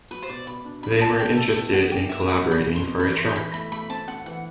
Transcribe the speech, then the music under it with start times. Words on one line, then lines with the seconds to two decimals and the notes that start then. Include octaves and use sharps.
They were interested in collaborating for a track.
0.11 F#3 B4
0.22 C5
0.29 B2 D5
0.47 B2 B5
0.65 D4
0.83 D4 B5
1.01 A3 A5
1.19 B2 G5
1.37 A3 A4
1.56 B2 A4
1.73 B2 F#4
1.91 D4 G4
2.09 B2 E5
2.27 F#3 F#5
2.46 B2
2.52 B5
2.64 B2
2.76 C6
2.82 B2
3.00 E3 B5
3.17 E3 C6
3.29 C6
3.35 E3 B5
3.54 A3 B5
3.72 A3 B5
3.89 C4 A5
4.08 C4 F#5
4.26 E3 F#5